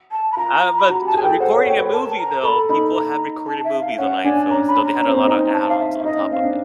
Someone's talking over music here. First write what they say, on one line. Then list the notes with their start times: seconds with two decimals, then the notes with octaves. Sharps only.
I have a bunch uh Recording a movie though people have recorded movies on iPhones, though they had a lot of add ons on top of it.
0.12 A5
0.32 B5
0.37 F4 A#5
0.77 B5
0.89 F#4 A#5
1.02 G4
1.06 A5
1.14 G#4 G#5
1.22 A4 G5
1.40 C5 F#5
1.54 C#5
1.66 C#5 G5
1.79 B4
1.92 A#4 A5
2.18 A#5
2.43 A4 B5
2.69 D#4 B5
2.95 A#5
3.47 A5
3.64 E5
3.81 F5
3.98 C#4 F#5
4.24 D4 G#5
4.50 C#4 A#5
4.68 B5
4.84 A#5
5.01 C#4
5.09 C4
5.16 C#4
5.27 D#4
5.53 A5
5.69 F5
5.79 E5
5.99 E5
6.05 D#4 D#5
6.18 C#4
6.31 C4 F5
6.44 D4